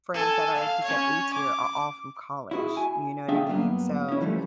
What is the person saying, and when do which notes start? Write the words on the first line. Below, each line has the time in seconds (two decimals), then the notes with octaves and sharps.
friends that are, like you said, A tier are all from college, you know what I mean? So,
0.14 A4 G#5
0.54 F5
0.84 C#4 C#5
1.33 D6
2.51 E4 F#4 G#4
2.77 G#5
3.28 C#4 D4 G#4 E5 F5 G5
3.47 G2 F#3 A#3 B3
4.08 C#4 E4
4.21 C2 E3 F3 G3 A3